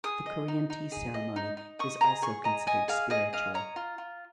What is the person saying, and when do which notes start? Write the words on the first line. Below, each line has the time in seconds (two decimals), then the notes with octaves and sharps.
The Korean tea ceremony is also considered spiritual.
0.04 G#4 D#6
0.26 D#5
0.48 D#4
0.70 D#4
0.92 G#4
1.14 D#5
1.36 D#4
1.57 D#4
1.79 D#5 C#6
2.01 G#4 A#5
2.22 G#4 C#6
2.44 D#5 A#5
2.67 D#5 G#5
2.88 G#4 F5
3.10 G#4 D#5
3.33 D#5 F5
3.54 C#5 A#5
3.76 F4
3.98 F4